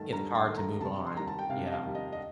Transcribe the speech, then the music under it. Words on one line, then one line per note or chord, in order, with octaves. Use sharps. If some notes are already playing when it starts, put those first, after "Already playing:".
It's hard to move on, yeah.
Already playing: G2 D#3 A3 A5
G2 A#5
C6
D#3 A3
A#5
A#5
C3 A5
C6
D#3 G3 A#5
A5
G5
C3 F5
D#5
F5
D#3 G3
D#5
D#5